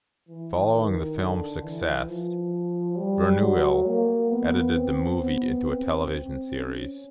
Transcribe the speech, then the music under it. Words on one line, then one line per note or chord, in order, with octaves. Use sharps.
Following the film's success, Verneuil edited the movie into a television series.
E3
D#3
D3
E3
F3
G3
F#3
A#3
B3
C4
B3
C4
C4
C#4